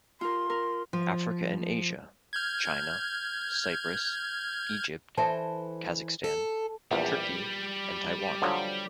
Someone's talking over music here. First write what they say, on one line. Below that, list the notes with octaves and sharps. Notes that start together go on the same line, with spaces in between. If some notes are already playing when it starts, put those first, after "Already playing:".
Africa and Asia: China, Cyprus, Egypt, Kazakhstan, Turkey and Taiwan.
F4 A#4 C6
A#4
F3
F6 G6 G#6
E3 A4 C5 D5 E5 A5
A4
A#1 E2 G3
D3 F3 F#3